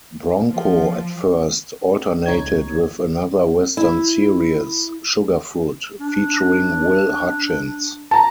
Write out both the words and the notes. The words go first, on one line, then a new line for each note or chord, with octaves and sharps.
"Bronco" at first alternated with another Western series, "Sugarfoot", featuring Will Hutchins.
F3
C#2 D#4 C#5 G#6
E4
D4
A5 A#5